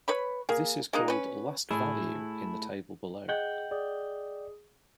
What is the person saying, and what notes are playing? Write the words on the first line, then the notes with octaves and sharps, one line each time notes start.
This is called "last value" in the table below.
B4 C#5 B5
A#3 G#4
G#3 A#3 D#4
C#4 B4
A2 A3 E4 G#4
G#4 D#5 F#5 G5
G#4 D5 D#6